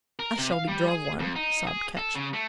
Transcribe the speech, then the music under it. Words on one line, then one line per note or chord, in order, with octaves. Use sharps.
"I shall be drove one," sobbed Ketch.
A#4
C3
F5
G3
G#4
F2
D#4
G#4
A4
C#3
A3